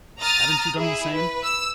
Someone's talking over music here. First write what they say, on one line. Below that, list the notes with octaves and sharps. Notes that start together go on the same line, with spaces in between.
Haven't you done the same?
A#5 D#6 F6 A6
E4 G#4
B4
E6